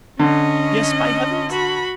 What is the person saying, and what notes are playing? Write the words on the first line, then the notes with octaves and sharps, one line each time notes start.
Yes, by heavens!
D3 C#4 D#5
F#4 B5